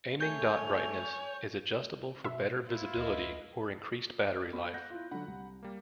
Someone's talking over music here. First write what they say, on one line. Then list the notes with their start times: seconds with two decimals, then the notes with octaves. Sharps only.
Aiming dot brightness is adjustable for better visibility or increased battery life.
0.21 A3 C#5 G#5 G6
2.24 B2 E5
2.67 E4 F4
2.97 D2 B4 D#5
4.53 B3 A4 B5
4.74 F#5 F#6 G6 A#6
4.90 E4 F4
5.11 D3 F#3 F#5 B5
5.28 C2
5.63 G3 A#3